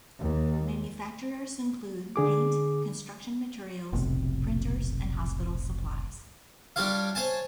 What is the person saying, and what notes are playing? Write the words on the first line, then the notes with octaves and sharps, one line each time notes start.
Manufacturers include paint, construction materials, printers, and hospital supplies.
D#2
D3 G#4 D6
F1 B1 A2 C3
G3 D4 F4 C#5 F5
C5 C#5 G#5 A5